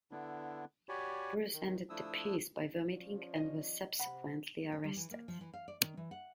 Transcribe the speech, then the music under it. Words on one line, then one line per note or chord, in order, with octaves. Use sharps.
Brus ended the piece by vomiting and was subsequently arrested.
D3 B3 D4 E4
F#4 G4 C#5 D5 G#5 B5
D#3
F3 A3 D4 E4 D#6 E6
F3 C#4 D5
D#5
C3 F#5 B5
C#4
G3
E3
A#3
F3
E3
F5
D5
D#3
E3
F#5